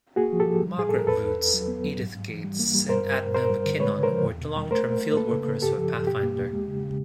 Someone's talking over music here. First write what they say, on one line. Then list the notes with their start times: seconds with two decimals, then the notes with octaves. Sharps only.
Margaret Roots, Edith Gates, and Edna McKinnon were long-term fieldworkers for Pathfinder.
0.16 A#3 F#4 G#4
0.33 F3
0.40 G4 A4
0.47 F3
0.62 G3
0.78 A2 G#4
0.89 A2 A4
0.99 A#4
1.07 E2 A4 B4
1.23 E2
1.38 E2
1.54 F#3
1.68 B3
1.84 F#3
1.99 G#2
2.14 G#2
2.28 E3
2.44 G3
2.59 A#3
2.74 G3
2.89 G2 A#4 C5
3.04 G2
3.20 G2
3.35 G2 A#4 C5
3.50 G3
3.66 D3
3.80 G#3 B4 C#5
3.95 C#3
4.03 A#4 C5
4.10 F3
4.26 E2
4.41 B2
4.56 G3
4.71 A3 A#4 C5
4.86 A3
5.02 A3
5.17 A#3 A4 B4
5.32 C#3
5.47 C#3
5.62 G2 G4 A4
5.78 F3
5.92 G2
6.07 B2 G4
6.23 A#3
6.38 E2
6.53 G#3
6.68 C#3
6.84 C#3